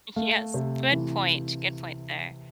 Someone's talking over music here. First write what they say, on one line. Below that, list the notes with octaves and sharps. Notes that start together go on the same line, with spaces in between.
Yes. Good point. Good point there.
A3 F5
C3
E3